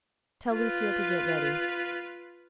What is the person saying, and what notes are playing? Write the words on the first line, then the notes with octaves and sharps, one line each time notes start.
Tell Lucile to get ready.
F4 B4